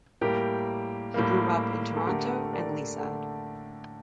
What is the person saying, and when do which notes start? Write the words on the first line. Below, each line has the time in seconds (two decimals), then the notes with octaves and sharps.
He grew up in Toronto and Leaside.
0.21 A2 G3 A#3 G4 A#4
1.14 A2 G3 A#3
1.97 A4
2.07 D3 A3 G4 A#4
2.53 A#4 D5
2.99 D3 A3